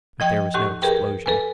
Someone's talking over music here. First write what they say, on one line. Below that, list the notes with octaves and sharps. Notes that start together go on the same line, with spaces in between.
But there was no explosion.
F3 D#5 G5 G#6
D#2 A2 G4 C#6
G4 G#4 A#4 B4 G5
A4 B4 G#5